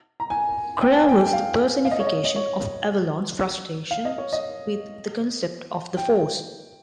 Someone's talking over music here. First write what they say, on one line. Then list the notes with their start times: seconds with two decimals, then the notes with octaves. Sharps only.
Kreia was the personification of Avellone's frustrations with the concept of the Force.
0.20 A#5
0.30 G#5
0.81 G5
0.95 G#5
1.09 G5
1.25 G5
1.33 F5
1.85 F5
1.91 D#5
2.00 C#5
2.07 D#5
2.25 D#5
2.36 C#5
3.91 F5
4.05 D#5
4.18 C#5
4.33 D#5
5.97 G5